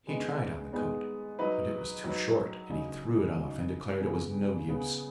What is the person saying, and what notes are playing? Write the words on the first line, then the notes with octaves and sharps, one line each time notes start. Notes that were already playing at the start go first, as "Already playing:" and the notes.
He tried on the coat, but it was too short, and he threw it off, and declared it was no use.
G#3 B3 D#4
G#3 B3 D#4
F#3 D#4 B4
F#3 D#4 B4
C#3 F#3 D#4
C#3 F#3 D#4
C#3 B3 G#4
C#3 B3 G#4